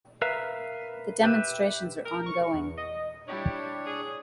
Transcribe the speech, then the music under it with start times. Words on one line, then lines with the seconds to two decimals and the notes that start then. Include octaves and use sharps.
The demonstrations are ongoing.
0.22 A#4 B4 E5 F5 A#5
1.23 G4 B4 E5
2.05 A#4
2.26 C#6
2.54 E2
2.77 D#5
3.27 G3 D4 E4 G4 C#5
3.86 G#4